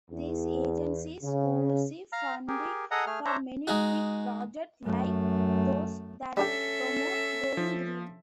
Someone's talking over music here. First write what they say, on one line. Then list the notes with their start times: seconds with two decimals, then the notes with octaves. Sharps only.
These agencies oversee funding for many big projects like those that promote going green.
0.11 E2
1.22 C#3
2.13 F5 A#5 F6
2.48 G4 G#4 A#4
2.91 G#4 A4 D#5 F#5 A#5 D#6
3.07 A3 G#4 F6
3.25 D4 C5 C#5 E5 A#5
3.67 G#3 D#4 F#4
4.84 F#2 A3
6.37 G3 C#4 D4 G4 A4 E5
7.57 F3